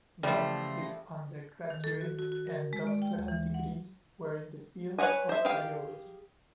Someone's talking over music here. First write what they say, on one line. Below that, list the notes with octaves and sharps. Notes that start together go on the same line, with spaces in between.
Both his undergraduate and doctoral degrees were in the field of biology.
C#3 E3 F3 G3 A3 C6 A#6
D#3
A4
F#4
F#4
F#4
A#4
G#3
D5
G5
D#2
E3
F#5
B4 C#5 E5 F#5 G#5
C5 E5
G4 G#4 F5 G5